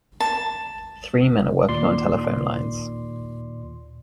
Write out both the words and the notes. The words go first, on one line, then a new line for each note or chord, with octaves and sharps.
Three men are working on telephone lines.
A5
D#2 A#2 D5 C6